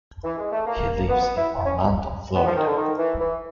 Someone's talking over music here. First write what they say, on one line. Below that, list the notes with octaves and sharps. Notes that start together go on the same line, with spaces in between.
He lives in Orlando, Florida.
E3
G#3
A3
A#3
B3
B3
E4
C#4
B3
F3
D#3
D3
D#3
E3
E3